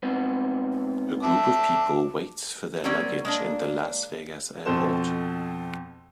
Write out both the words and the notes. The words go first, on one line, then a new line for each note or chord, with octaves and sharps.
A group of people waits for their luggage in the Las Vegas airport.
G#2 B3 C4
E5 A5 D6
F#3 G3 A#3 C4 C#4 D5
G#3 A#3 D4
F2 B2 C4 A4 C5 E7